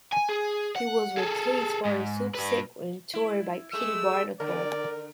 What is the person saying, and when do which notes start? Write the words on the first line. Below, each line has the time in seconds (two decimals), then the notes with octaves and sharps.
He was replaced for the subsequent tour by Pete Barnacle.
0.12 G#5
0.29 G#4
0.76 F#5
1.17 G#4 A4
1.85 G#2
2.35 G2 B4
3.14 E4
3.73 G#3 A3 G#4 E6
4.40 D3 A#4 D5